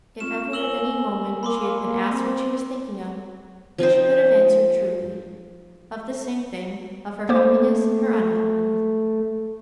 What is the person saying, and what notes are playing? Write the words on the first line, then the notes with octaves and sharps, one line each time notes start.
If ever at any moment she had been asked what she was thinking of, she could have answered truly: of the same thing, of her happiness and her unhappiness.
C4 F4 C#6 E7
A#4 G#5 E6 F#7 G7
A#3 B5 C6 D6
C4
F3 C4 D#4 C5
A3 A#3 C5 D6